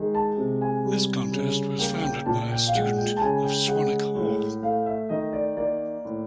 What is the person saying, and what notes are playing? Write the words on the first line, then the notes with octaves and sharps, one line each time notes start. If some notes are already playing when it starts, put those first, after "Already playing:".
This contest was founded by a student of Swanwick Hall.
Already playing: D#3 G#3
A5
C3
G#5
G3
C#3
A#3 G5
G5
A#2 A5
G5
F5
G#3 F#5
G5
A5
C#3 G#5
G5
G#3 F#5
A2
A3 F5
E5
D#3 D#5
D5
A#3 D5
A2